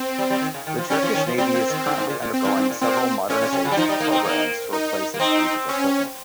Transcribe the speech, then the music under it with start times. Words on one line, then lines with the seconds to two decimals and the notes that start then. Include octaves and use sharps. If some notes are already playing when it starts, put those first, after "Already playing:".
The Turkish Navy is currently undergoing several modernisation programmes to replace its ageing equipment.
Already playing: C4
0.19 G3
0.30 G3
0.42 D#3
0.54 C#3
0.67 D#3
0.78 F3
0.90 G3 C#4
1.03 F3
1.14 D#3
1.26 F3
1.38 G3 C4
1.54 A#3
1.70 D#3
1.86 G#2
1.97 G#2
2.09 A#2
2.22 A#2
2.34 C4
2.45 G#2
2.57 G#2
2.70 A#2
2.81 A#2 C4
3.29 A#2 C#4
3.41 A#2
3.53 C3
3.65 C#3
3.72 G3
3.77 F3 D#4
3.89 G3
4.00 A#3
4.12 C4
4.25 A#3
4.73 D#4
5.14 A#3
5.20 C4 D#4
5.69 C#4